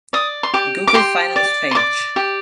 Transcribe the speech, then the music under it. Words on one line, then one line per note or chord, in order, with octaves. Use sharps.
Google Finance Page.
D5 D#6
C6
G4 D6
D6
G4 C6
D5
C6
D5 D6
G4